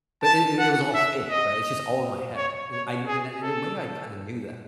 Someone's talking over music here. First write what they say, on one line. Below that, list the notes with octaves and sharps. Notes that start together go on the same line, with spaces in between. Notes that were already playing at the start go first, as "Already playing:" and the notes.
But it it it was all fake. Right? It's just all in my head. And I and and in a way, I kinda knew that.
A5
F#5
E5
D#5
C#5
C#5
G#4
A4